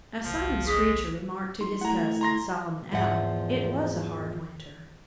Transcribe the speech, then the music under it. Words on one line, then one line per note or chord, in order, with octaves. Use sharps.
AS SIMON SCREECHER remarked to his cousin, Solomon Owl, it was a hard winter.
G1 C2 F3
G#3 G#4 D#6 B6
D#4 C6
A3 E4 F#5 A#5 G#6
A#5 C6 A#6
E2 G#2 F3 E5 F#5